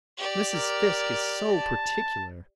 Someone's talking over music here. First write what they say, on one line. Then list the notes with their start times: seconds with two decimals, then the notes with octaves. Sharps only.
Mrs. Fiske is so particular.
0.17 G4 D5
0.53 A#4
1.50 A5